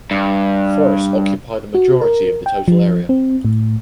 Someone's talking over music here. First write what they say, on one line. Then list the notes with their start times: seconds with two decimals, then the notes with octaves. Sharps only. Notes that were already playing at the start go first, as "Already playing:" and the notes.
Forests occupy the majority of the total area.
0.11 G2
1.75 F#4
2.01 A#4
2.46 G5
2.68 F3
3.09 C4
3.45 A2